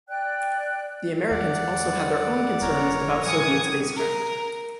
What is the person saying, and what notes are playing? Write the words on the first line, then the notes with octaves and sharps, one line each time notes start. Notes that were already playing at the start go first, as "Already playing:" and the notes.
The Americans also had their own concerns about Soviet spacecraft.
D5 G5 F#6
E2 E3 G#3 D5 F#5
E1 A#4 C#5 A#5
A2 E3 F3 G3 D#6 G#6 C#7
A#4